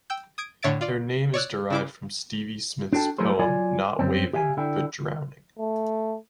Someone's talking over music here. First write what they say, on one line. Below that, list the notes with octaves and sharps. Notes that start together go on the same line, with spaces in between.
Their name is derived from Stevie Smith's poem "Not Waving but Drowning".
G5 E6 G6
D#6 G#6 D7
A2 D3 C#5 E5 A6 D7
F4 D5
C#5 D5 E6 F#6
C#3 E4 D6
D4 F#4 A4 G5 A5
F#3 A3 E4 G#4 A#4 C5
F#3 F4 D5 G#5
F#2 C4
G4 E5 F5 G#5
D3 E4 G5
A3